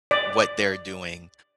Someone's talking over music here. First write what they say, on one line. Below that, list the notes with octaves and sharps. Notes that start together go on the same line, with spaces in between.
what they're doing,
D5